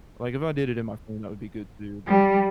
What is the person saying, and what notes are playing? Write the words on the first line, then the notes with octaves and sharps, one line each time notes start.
Like, if I did it in my phone, that would be good too, but
G3